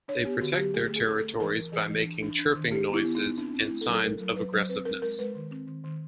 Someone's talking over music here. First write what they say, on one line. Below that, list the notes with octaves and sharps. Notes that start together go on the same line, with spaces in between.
They protect their territories by making chirping noises and signs of aggressiveness.
D4 C#5
B3 G4
D3 F#4
F#3 G4
A3 G#4
A3
G#4
A3
A4
A3
E3 A#4
E3
E3 G#4
E3
D4
D4
D4
D#3
D4 G4
B3
E4
B3
D#4
B3
C4 D4
C4
E4
A3
A4
F#3
A4
A3 A#4
F#3
F#3 B4
F#3 C5
C4 B4
C4 A#4
G#3 A#4
G#3 B4
D#3
C4
D#3
D#3